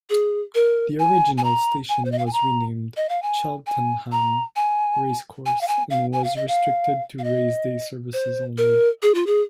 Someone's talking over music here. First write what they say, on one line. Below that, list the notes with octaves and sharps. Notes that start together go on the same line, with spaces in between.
The original station was renamed Cheltenham Racecourse, and was restricted to raceday services only.
G#4
A#4
G#5
G#5
A#5
G#5
C5
D#5
F5
G#5
A#5
D#5
F5
G#5
G#5
A#5
G#5
G#5
F5
G#5
F5
G#5
F5
D#5
F5
F5
D#5
C5
A#4
G#4
F4
G#4